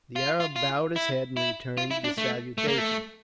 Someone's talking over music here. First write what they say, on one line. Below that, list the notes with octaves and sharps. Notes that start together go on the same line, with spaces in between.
The Arab bowed his head and returned the salutation.
F4
F4
F4
E4
E4
F4
E4
D4
A3
A3
A#3
A3